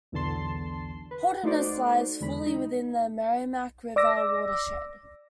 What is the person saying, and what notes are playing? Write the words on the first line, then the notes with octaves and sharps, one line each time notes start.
Holderness lies fully within the Merrimack River watershed.
B1 E2 D3 A5 C6
B4
A3 D#4 F#4 C5 D5
E2 D3 G#3 B5
D#4
D5 D6 E6 A#6